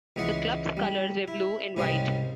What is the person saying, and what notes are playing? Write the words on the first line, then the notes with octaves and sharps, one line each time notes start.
The club's colors were blue and white.
C#2 E3 G#3 G#4 F#5
G3
E4
C2 G#2 C#3 G3 G#4 C6